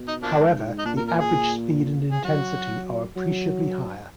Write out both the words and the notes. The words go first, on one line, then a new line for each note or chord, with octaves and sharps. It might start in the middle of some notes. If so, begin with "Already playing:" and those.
However, the average speed and intensity are appreciably higher.
Already playing: B2
D#4
F3 A#3 D4
G#2
D#4
A#2 D4
A#4
A#4
G#4
G#4
F#3 F#4
F#3